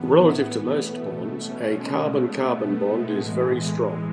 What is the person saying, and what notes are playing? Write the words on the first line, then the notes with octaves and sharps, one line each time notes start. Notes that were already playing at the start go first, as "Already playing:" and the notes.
Relative to most bonds, a carbon-carbon bond is very strong.
Already playing: A2 E3 B3
B3
B3
B2 A3
A3
C#4
G#3
B2 A3
B3
A3
G#3
A2 E3 G#3
G#3
G#3